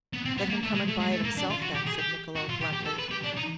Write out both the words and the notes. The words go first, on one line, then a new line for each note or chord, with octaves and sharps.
"Let him come and buy it himself, then," said Niccolo, bluntly.
B3
C4
B3
A#3
A3
G#3
A3
G#3
A3
A#3
D4
F4
F#4
G4
G#4
G4
F#4
F4
G4
G4
A4
B4
G4
D4
D#4